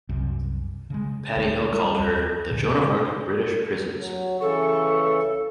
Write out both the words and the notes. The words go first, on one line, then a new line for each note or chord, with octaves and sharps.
Paddy Hill called her "the Joan of Arc of British prisons".
C2 F#2 C3
C#3 G#3
D2 A3
G3
D#2
A#2 D3 F3
F#3
C#3 E3 A4 C#6